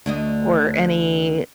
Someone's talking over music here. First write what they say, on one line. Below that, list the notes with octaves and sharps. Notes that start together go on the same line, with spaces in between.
or any
D2 D3 D#5